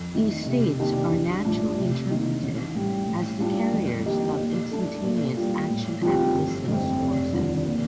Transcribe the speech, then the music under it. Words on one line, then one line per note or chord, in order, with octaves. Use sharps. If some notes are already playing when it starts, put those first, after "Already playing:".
These states are naturally interpreted as the carriers of instantaneous action-at-a-distance forces.
Already playing: F2
D#3 A3
C3
D#3 A#3 D4 G4
A#1
A2 F3 A3 D4
C3
D#3 A#3
A1
A2 G3
A2
G3 D4 F4
F2
D#3 A#3 D#4 G4
A#2
A3 D4 A4
A#2
G3 A#3 F4
A2
F3 C4 D#4 G4
G1
F2 D3 A3 C4
F1
D#2 D3 F3
A#2